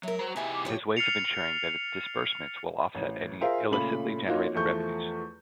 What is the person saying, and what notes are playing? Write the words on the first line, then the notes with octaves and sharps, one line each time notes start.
It has ways of ensuring that its disbursements will offset any illicitly-generated revenues.
F#3 G#3 A#4 E5
F#3 C5 A#5
C3 D#4 E4 G4 G#4 E5 G#5
D6
F3 G4 C#5
F6 A6 C7 C#7 F7
A1
F4 G#4 A#4 C5 E5 F5
A#2 C#3 A3 B5 F#7
A#3 D#4 F4 F#4 C#5
E2 F3 A3 C#6 G6